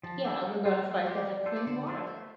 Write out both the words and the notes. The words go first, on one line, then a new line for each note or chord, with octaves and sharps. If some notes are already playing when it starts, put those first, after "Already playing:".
Yeah, and we're gonna fight to have clean water,
F3 A5
D4 A4 G5
G3
C4 F4 C5
A3 F5
C4 G4 D5
G3
F4 A4 C5
D5
D3 C5
D5
F3 A3 D4 A4 C5
A3 C5